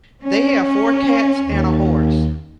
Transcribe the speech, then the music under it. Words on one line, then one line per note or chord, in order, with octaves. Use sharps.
They have four cats and a horse.
C#4
D#2